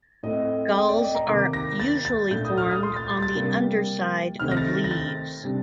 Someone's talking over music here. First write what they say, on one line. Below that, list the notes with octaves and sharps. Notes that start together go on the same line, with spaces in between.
Galls are usually formed on the underside of leaves.
A2 A3 C4 D#5
G5
D5
D#5
A#5
C3 D#3 A#3 D6
A#6
A6
A6
A#2 A3 D4 G6
D#6
F6
D#6
C6
A6
A6
A6
C3 G3 A#3 D4
C3 D#3 A3 C4 F6
A#6
A6
A#6
A6
C3 G3 D4